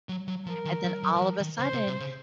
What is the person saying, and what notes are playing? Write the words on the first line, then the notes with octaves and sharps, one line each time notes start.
And then all of a sudden,
F#3
F#3
F3 A#4
D#3
F#3
F#3
F#3
F3
D#3
C#3 C5
C3
C3
C#3